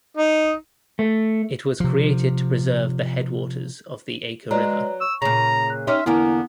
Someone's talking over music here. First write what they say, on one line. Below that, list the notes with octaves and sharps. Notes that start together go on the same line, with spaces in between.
It was created to preserve the headwaters of the Acre River.
D#4
A3
C3 F3
F#3 G#3 B4 D5 A#5
C#6 E6
A#2 C#3 A#5
F#6
C#4 D#4 G4 E5 C6 F6
E2 D3 A#3 B3 E4 G#5 A#5